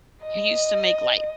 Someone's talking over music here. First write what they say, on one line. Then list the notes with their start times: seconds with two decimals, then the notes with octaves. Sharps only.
He used to make, like
0.23 D#5